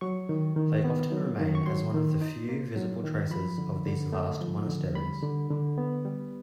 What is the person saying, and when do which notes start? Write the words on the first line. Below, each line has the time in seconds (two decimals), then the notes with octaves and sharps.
They often remain as one of the few visible traces of these vast monasteries.
0.01 F#3 C#6
0.29 D#3
0.56 D#3
0.84 B3
1.12 F#3
1.40 D#3
1.55 C#6
1.66 F#3 C6
1.94 D#3
2.21 D#4
2.49 A#3
2.76 F#3
3.04 D#3
3.31 F3 B5
3.58 D3
3.86 D3
4.12 A3
4.41 F3
4.68 D3
4.95 G3 B5
5.23 D3
5.50 D3
5.78 B3
6.05 G3